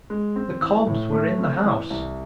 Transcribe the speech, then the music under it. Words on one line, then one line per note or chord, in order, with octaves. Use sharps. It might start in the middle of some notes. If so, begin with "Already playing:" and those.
The cobs were in the house!
G#3
C4
E3
A2
A3
C4
E3
C2